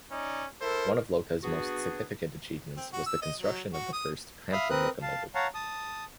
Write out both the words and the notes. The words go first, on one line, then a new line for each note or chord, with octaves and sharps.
One of Lowca's most significant achievements was the construction of the first Crampton locomotive.
C#4 D#4 D5
E4 A4 A#4 C5
B3 D4 F#4 G#4
C4
F#4
E6
D#5
F#3
F#4
D#6
E5 F5 B5 D#6 F6
C4 A#4 B4 D#6 F#6
F5 A5
C#5 F5 F#5 A5 A#5
A5 D#6